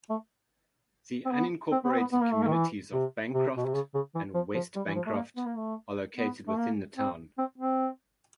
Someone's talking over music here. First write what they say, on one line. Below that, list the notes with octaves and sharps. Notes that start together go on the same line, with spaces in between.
The unincorporated communities of Bancroft and West Bancroft are located within the town.
A3
C4
B3
C4
B3
C4
B3
B3
A#3
A3
A#3
D#3
E3
C3
C3
B2
C3
C#3
C#3
E3
F3
F3
G3
E3
F3
A3
A#3
B3
A#3
A3
B3
A3
A#3
C4
C4
C4